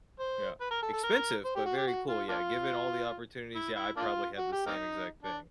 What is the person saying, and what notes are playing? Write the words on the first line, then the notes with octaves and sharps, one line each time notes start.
Yeah. Expensive, but very cool. Yeah, given all the opportunities, yeah, I'd probably had the same exact thing.
C5
B4
A#4
A4
A4
A#4
C5
G4
F#4
G4
F#4
F4
A#3 D4 F4
E4
E4
A#3 D4 F4
F#4
G4
A#3 C4 D#4
D4